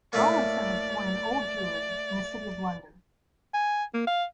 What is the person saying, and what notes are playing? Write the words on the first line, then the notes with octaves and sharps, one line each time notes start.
Rowlandson was born in Old Jewry, in the City of London.
A2 A3 A#3 D5
G#5
A#3
F5